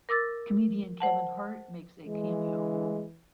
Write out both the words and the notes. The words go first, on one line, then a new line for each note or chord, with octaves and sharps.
Comedian Kevin Hart makes a cameo role.
A#4 D6 E6 A6
C5 F#5 A5
E3 G#3